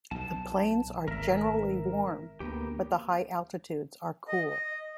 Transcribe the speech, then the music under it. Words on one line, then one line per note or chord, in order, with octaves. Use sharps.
The plains are generally warm but the higher altitudes are cool.
B1 B2 A5
G#1 A#4 E5
D2 A#3 B3 G4
D#5
D#5